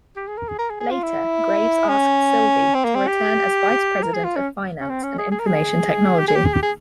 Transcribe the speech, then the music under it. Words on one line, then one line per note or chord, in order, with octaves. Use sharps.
Later, Graves asked Silvey to return as vice president of finance and information technology.
G4
G#4
A#4
G#4
A#4
G#4
G#4
F4
E4
C#4
C4
A#3
C4
G4
A#4
G#4
F4
C#4
C#4
C4
C#4
G#4
G#4
A#4
G#4
G4
G#4
G4
G#4
G4
G#4